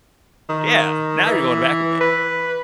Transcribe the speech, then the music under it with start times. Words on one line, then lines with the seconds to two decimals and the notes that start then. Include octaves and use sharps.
Yeah, now you're going back a minute.
0.49 D#3
1.26 E3
2.00 B4